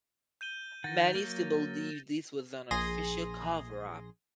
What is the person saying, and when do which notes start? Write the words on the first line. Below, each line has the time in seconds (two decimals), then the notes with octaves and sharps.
Many still believe this was an "official" coverup.
0.41 G6 D#7 G7
0.84 D#3 F#5 G6 A6 A#6
1.15 F#3 A#3
2.71 A#1 G#4 C6 A#6 D#7